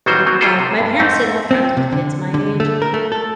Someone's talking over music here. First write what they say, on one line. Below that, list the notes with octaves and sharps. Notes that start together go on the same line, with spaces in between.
um, my parents did have friends with kids my age,
A1 D#3 F#3 G3 F#4 C5
F#3 A#3 C4
G3 E4 F4 G#4 A4 C5
C3
G2
F2 G#2 A3 C4
C4
C3
D3
D3
A3
A#4
A3
A4